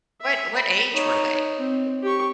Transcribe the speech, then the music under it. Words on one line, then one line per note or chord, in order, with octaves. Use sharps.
What what age were they?
E5
B5
D#4 C#5
C4
G4 C#6